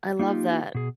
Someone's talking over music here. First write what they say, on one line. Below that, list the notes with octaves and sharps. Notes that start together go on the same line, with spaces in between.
I love that.
A#3 D#4 F4 G4
B2 G#4